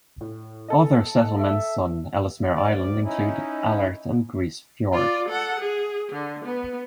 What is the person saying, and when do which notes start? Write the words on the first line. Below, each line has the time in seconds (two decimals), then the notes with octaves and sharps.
Other settlements on Ellesmere Island include Alert and Grise Fiord.
0.21 A2
0.68 A4 D#5
1.39 E5
2.54 D2 D5
3.03 C#4 D#4 E4
4.92 F4 D5
5.29 A4 F#5
5.60 G#4
6.12 D3
6.45 B3